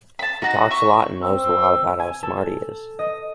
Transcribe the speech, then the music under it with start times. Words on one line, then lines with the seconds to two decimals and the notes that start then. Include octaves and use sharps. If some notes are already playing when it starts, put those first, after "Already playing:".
He talks a lot and knows a lot about how smart he is.
0.19 A5 B5
0.42 D#4 F#4
0.71 E5 C#6
1.22 C4 E6
1.99 G#5
2.23 A4
2.99 D#5